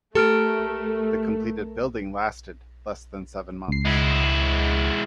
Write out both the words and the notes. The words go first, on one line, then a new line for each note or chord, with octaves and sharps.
The completed building lasted less than seven months.
A3 G4 A4 A#4 F6 D7
C#2 C7
G#3 E4